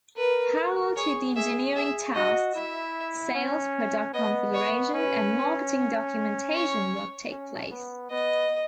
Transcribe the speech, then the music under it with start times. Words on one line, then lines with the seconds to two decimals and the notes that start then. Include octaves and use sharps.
Parallel to the engineering tasks, sales product configuration and marketing documentation work take place.
0.17 A#4 B4
0.96 G#4 C#5
1.36 G#4 E5
1.76 G#4 E5
2.15 F#4 D#5
2.55 E4 E5
3.35 C#4
4.13 B3 D#5
4.54 C#5
4.93 C#4 B4
6.52 C#5
7.31 C#4
7.71 B3
8.11 B3 D#5